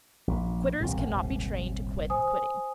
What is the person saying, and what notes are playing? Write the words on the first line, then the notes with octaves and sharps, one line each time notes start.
Quitters cannot be trained to quit quitting.
A#1
E1 C2 G2
D#1 G#1 C3
C5 G#5 D#6